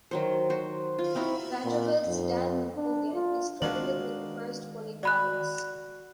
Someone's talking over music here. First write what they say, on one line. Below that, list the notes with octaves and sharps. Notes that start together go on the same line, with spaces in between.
Vanderbilt's Dan McGugin is credited with first pulling guards.
D#3 F#3 C5
F#4 C5
F4
C4 D#4 E4 F#4
A#2
F2
D4
F4
D#3 G#3 D4 F4 F#4 F#7
F#4 D5 B5 F#6